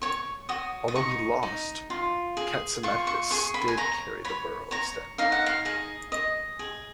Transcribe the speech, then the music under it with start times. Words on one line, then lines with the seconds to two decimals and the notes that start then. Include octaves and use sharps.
Although he lost, Catsimatidis did carry the borough of Staten Island.
0.02 C#5 C#6
0.49 F#4 D#6
0.88 D#6
0.95 D#4 C#6
1.43 D#4
1.90 F4
2.37 G#4
2.83 F4 C#6
3.07 C#6
3.31 G#4 C#6
3.54 B5
3.68 G#5
3.77 C#5 A#5
4.25 C#5 B5
4.71 C#5 A#5
5.18 D#4 F5
5.32 F#5
5.46 F5
5.65 G#4 D#5
6.12 D#5
6.59 G#4